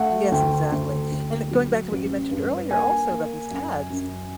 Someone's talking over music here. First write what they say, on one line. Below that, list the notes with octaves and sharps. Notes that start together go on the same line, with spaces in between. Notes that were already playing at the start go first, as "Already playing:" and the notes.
Yes, exactly. And going back to what you mentioned earlier also about these ads,
Already playing: A3 F#5
D2 G5
D2
D2
F#3
A1
G2
A#3 G#5
A#3
F#2
F#2